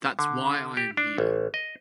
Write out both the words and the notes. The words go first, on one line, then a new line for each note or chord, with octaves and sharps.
That's why I am here.
D3
G4
D4
A1
D#5